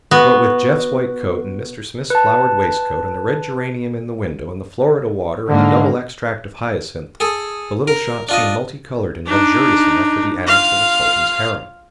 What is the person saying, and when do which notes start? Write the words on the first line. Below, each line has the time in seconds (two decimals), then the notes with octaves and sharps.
What with Jeff's white coat and Mr. Smith's flowered waistcoat and the red geranium in the window and the Florida water and the double extract of hyacinth, the little shop seemed multi-coloured and luxurious enough for the annex of a Sultan's harem.
0.11 B3 F#4
2.10 B4 A5
5.49 G#2 D3 A#3
7.20 G#4 A4
7.88 A#4
8.29 D4 F4 D#5
9.26 D4 D#4
10.46 F4 F5